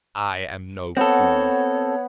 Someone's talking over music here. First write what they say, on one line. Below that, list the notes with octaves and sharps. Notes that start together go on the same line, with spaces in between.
I am no fool.
B3 C4 A4 C#5 F#5